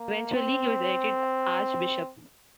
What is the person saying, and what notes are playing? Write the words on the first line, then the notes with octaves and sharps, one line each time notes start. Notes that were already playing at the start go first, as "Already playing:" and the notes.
Eventually he was elected archbishop.
Already playing: A#3
C4